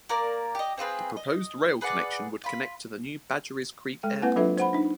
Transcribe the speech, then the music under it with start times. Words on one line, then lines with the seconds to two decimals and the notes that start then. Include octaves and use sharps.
The proposed rail connection would connect to the new Badgerys Creek Airport.
0.09 A#3 A#4 D5
0.55 G4 D#5
0.78 C4 F4 G#4 B4
1.17 D#5
1.81 G#4 B4 D5 F#5
2.44 F4 B5
4.03 G#3 A4 G5
4.22 A#3 C4 E4 B4 F#5 G#5
4.36 F#3 D4 F4 A4 B4 E5
4.57 C5 F#5 B5
4.73 D4 D#4